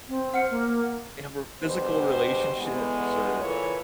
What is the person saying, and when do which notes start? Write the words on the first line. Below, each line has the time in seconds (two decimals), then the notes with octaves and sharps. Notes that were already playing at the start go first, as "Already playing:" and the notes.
they have more physical relationships or
0.09 C4
0.34 C5 F#5 F6 C#7
0.51 A#3
1.61 D2 B2 G3 G#3 G4 C5
2.56 E2 G#3 A3 B3
3.39 A#2 E3 A#3 A4 B4 C#5